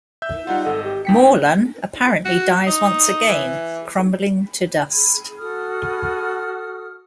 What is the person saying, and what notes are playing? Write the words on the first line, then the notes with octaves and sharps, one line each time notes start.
Morlun apparently dies once again, crumbling to dust.
E5 E6 G6
G3 D#4 F4 F#5
G#1 A4 D#5
G4
D#2 G5 B6 C#7
F#4
D#4
E3
F#4 A4 D#6 F6